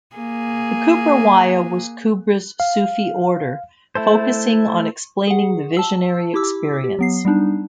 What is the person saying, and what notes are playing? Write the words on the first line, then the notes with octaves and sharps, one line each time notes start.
The Kubrawiya was Kubra's Sufi order, focusing on explaining the visionary experience.
A#3 G#4
F5
A3 E4 A4 C5
G#4 F#5
A5 E6
E4 G4 D6 E6
G4
F#3 B3 C7
G3 B3 D4 D#4